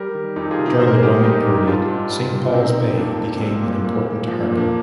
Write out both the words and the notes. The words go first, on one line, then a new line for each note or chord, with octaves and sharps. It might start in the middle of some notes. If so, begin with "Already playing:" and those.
During the Roman period, Saint Paul's Bay became an important harbour.
Already playing: G3 G4 A#4
D#3
F2 D#4 G4
F4 G#4
C3
D#4 G4
G#2 C5
A#4
G#4
G3 G4 A#4
G3 D#4 G4
G#2
G3 D4 F4
G#2
G3
G3
F4
C3 C4 D#4
F2
F2 A#3 D4
F2
G3 G#3 C4
A#3
A#2
G#3
A#2 A#3
A#2
F3
A#3
A#2
A#3 D4